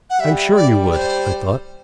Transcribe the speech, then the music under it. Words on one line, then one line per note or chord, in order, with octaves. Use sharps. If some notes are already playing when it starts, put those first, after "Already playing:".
"I'm sure you would," I thought.
F#5
G3 E5
D5
D5
C5